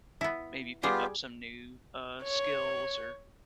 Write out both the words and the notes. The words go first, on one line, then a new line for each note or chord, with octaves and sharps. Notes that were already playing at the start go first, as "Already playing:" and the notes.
maybe pick up some new, uh, skills or
B3 E4
G3 B3 F4 G4 G#4 G5
C#5